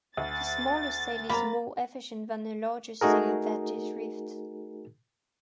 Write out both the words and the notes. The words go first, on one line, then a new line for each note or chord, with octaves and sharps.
The smaller sail is more efficient than a larger sail that is reefed.
D2 A6
A#3 A#5 B5
A3 D#4 F#4 G#4 A#4